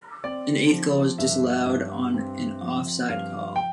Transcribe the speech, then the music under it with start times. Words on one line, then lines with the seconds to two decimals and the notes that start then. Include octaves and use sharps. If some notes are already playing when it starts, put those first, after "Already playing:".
An eighth goal was disallowed on an off-side call.
0.24 C4 D5
0.71 F3
1.18 G2 E5
1.66 G2
2.14 C4
2.61 F3
3.09 G2 F5
3.56 G5